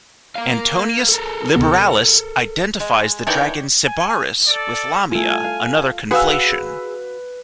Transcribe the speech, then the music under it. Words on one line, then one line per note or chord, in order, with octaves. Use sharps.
Antoninus Liberalis identifies the dragon Sybaris with Lamia, another conflation.
A#4 F5
A4 A#4
D2 C3 B3
G#3
D#3 E3 D4 C#5 D5 G5
G#5
A4 D5
A3 F4 G#5
F5
F#4 G#4 B4 F5 E6